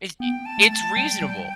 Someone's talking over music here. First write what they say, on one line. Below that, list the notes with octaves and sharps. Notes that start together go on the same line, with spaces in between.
It's i it's reasonable,
B3 G5
A5
A3
A5
G3 G5
G3